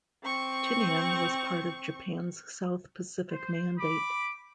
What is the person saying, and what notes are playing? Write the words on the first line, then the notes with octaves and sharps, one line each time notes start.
Tinian was part of Japan's South Pacific Mandate.
C4 C#6
C5
B5 D6